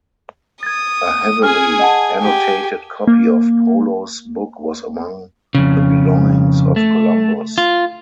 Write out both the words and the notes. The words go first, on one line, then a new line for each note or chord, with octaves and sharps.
A heavily annotated copy of Polo's book was among the belongings of Columbus.
D#6 G#6 A6
G#4 G#5 F6
D#5 F#5 A5
G4 G#5
A#3
F2 C#3
A3
F4